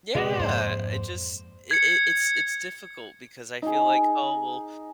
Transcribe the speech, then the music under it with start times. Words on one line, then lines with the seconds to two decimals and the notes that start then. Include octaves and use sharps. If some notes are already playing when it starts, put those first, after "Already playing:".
Yeah. I just it it it's it's difficult because I feel like, "Oh, well,
0.15 C3 G#3 B3 D5
0.39 F2 G#2 A#3 C5
1.71 G#6 C#7
3.62 D#4 G#4